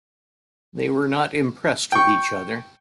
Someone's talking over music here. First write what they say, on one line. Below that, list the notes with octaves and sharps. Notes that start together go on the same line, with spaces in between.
They were not impressed with each other.
G5 C#6